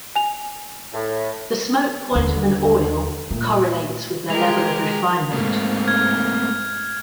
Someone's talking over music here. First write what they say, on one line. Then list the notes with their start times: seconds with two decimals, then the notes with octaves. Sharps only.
The smoke point of an oil correlates with their level of refinement.
0.16 G#5 F7
0.93 A2
2.15 D#2 D3
3.31 A#2 A3
4.30 G#3 G4 A#4 F7
5.33 G#2 A3 A#3 C4
5.87 F6 G#6